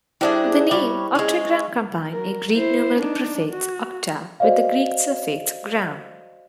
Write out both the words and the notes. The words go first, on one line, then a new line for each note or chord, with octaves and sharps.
The name "octagram" combine a Greek numeral prefix, "octa-", with the Greek suffix "-gram".
G3 D4 E4 G#4 C5 E5
G3 C#5
G#3 C#4
F#3 A#4
E4 C5
D4 D#4
F#4
F#4 C5 D5 D#5 F5